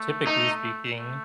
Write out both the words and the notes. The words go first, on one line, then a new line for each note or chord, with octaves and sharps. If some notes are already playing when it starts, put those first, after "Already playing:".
typically speaking,
Already playing: A3
D#4
A3